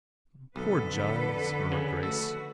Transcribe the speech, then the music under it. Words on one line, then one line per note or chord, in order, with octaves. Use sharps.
"Poor Giles!" murmured Grace.
B1 F2 D3 A4 B4
C#3
A3 F#4 A4